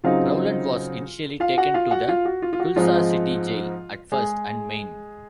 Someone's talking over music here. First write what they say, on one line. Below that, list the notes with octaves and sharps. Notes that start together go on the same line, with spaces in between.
Rowland was initially taken to the Tulsa city jail at First and Main.
C#3 F#3 C4 D#4 F4 F5
F4 F5
F#4 F#5
F4 F5
F#4 F#5
F4 F5
F#4
F4
F4
F#4
G#2 F3 G#3 C4 D#4 F4
G#3 G#4